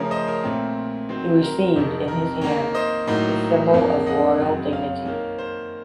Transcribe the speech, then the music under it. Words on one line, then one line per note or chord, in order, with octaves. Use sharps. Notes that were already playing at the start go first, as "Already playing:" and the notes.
He received in his hands the symbol of royal dignity.
Already playing: C#3 F3 A3 C#4 A#4 C#5
C5 D#5
A#4 C#5
A#2 A3 C4
D#3 F#3 C4 C5
A#4
F2 C3 D#3
A#4
D#3 A#3 C#4 A#4 C#5
C5 D#5
A2 F#3 A#3 D#4
F2 D#3 A#3 C#4
D#5 F#5
F#2 C#3 F#3 C4
C#5 F5
D#3 A#3 C#4
C5